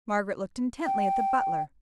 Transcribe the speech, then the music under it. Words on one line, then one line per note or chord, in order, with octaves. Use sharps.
Margaret looked intently at the butler.
G5